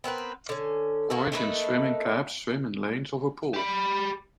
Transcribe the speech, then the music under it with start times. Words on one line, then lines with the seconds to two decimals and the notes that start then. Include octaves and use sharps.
Boys in swimming caps swim in lanes of a pool.
0.04 B3 C4 A#4 B4
0.49 D3 C#4
1.10 D#3 A#3 F#4 A4
1.32 A3 A#3 D#4 B4
3.54 G4 B5